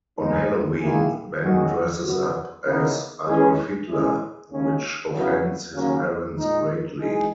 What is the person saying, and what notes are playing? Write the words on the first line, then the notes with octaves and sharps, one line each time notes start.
On Halloween, Ben dresses up as Adolf Hitler, which offends his parents greatly.
D#3 G#3 B3 D#4
D#3 A#3 E4 G#4
D#2 D#3 G#3 C#4 F#4
F#2 C#3 F#3 B3 F#4
C#3 E3 B3 D#4 A#4
E3 G#3 C#4 G#4
E3 G#3 C#4 E4 G#4
D#2 C#3 G#3 C#4
E2 C#3 F#3 B3 E4
D#2 C#3 F#3 A#3 C#4
A#2 G#3 D#4
E3 G#3 D#4 G#4